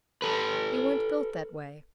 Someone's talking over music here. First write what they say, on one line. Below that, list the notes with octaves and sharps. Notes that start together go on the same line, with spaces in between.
You weren't built that way.'
A4 B4